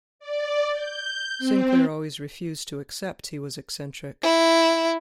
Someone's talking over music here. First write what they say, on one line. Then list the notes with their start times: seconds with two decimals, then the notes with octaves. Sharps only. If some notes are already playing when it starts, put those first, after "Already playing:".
Sinclair always refused to accept he was eccentric.
0.19 D5
0.73 G6
1.39 C4
4.23 E4